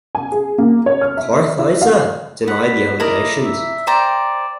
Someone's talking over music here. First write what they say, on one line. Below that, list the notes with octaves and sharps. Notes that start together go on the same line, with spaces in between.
Kartheiser denied the allegations.
G#5
G#4
A#3
C#5
F6
E5
E4
F5
F#5 B5
E4 A#4 D5 D#5
E5
C5 D5 G5 A#5